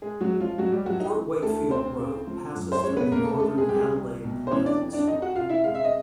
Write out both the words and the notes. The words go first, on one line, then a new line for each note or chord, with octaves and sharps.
Port Wakefield Road passes through the northern Adelaide Plains.
G#3 G#4
F#3 F#4
G#2
F3 F4
G#2 F#3 F#4
G3 G4
F3 F#3 F#4
D#4
E3
D2 A3 A4
D2 C4 C5
C#3
F3
F#2
C5
G#3 C#4 C#5
B3 B4
C#3 A#3 A#4
A3 A4
G#3 A3 A4
G#3 G#4
C2 G4
G#3 G#4
C2
B2
C5
E3 C#4 C#5
D4 D5
F2
D4 D5
F2 D#4 D#5
F#4 F#5
C3 F4 F5
E4 E5
G#3 F5
E5
D#5